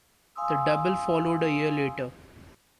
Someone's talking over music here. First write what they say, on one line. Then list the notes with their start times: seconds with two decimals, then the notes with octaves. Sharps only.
The double followed a year later.
0.36 F5 G#5 C6 D#6 E6